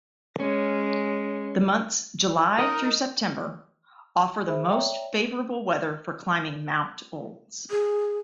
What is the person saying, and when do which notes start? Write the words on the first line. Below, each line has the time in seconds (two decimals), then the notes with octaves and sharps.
The months July through September offer the most favorable weather for climbing Mount Olds.
0.40 G#3 C#4
2.58 D#4 A#4 D#5
4.46 G#4 C5 E5 B5
4.69 C#5 D5 E5 G5 A#5
7.71 G#4